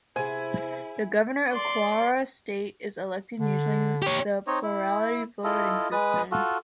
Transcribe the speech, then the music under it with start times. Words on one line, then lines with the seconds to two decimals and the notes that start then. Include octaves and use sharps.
The Governor of Kwara State is elected using the plurality voting system.
0.16 C3 E3 B3 E4 G#4 C5 G#5
1.52 D5 C6
3.40 D3
4.02 G4 C#5
4.47 C4 D#4 C#5 D#5
4.62 E4
5.44 E4 F4 A4 D#5
5.92 G#3 B4 D#6
6.32 F4 F#4 A4